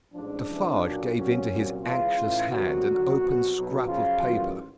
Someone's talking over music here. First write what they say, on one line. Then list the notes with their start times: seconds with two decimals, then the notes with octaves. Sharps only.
Defarge gave into his anxious hand, an open scrap of paper.
0.15 A1 G#2 F3 D4
0.48 C#2 C3 E3
0.82 B1 A#2 F#3
1.16 C2 A#2 F#3 C#4
1.50 C2 A#2 F#3
1.84 C#2 C#3 E3 F4
2.18 A1 A2 E3
2.51 D2 C3 D#3 F#3 F#4
2.85 D#2 D3 F#3
3.19 C2 B2 F#3
3.53 B1 B2 F#3
3.87 F#2 C#3 F3 F4
4.21 A1 G#2 D#3 F#3